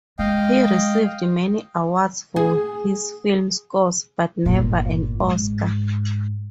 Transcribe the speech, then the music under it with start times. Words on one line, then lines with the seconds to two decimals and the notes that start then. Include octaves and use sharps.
He received many awards for his film scores, but never an Oscar.
0.19 G#3 D#5 F5 G5
2.36 G#4
4.45 G1 A#2
5.20 G#2